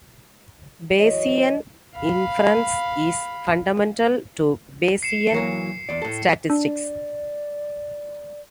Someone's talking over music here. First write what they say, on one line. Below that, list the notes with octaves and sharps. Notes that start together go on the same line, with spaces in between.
Bayesian inference is fundamental to Bayesian statistics.
E3 F#3 C#5 D#5
F5 B5
C7 C#7 E7
E3 F#3 A#3 C#7
E2 D5
A2 A4
D4 D5